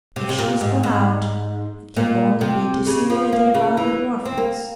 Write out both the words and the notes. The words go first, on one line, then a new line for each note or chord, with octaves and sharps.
If she's gone out, it can only be to see a lady about the orphans.
C3
C3
A#2
G#2
G#2
A#2
C3
C#3
F3
A#3
C#3
E3
C4
A#3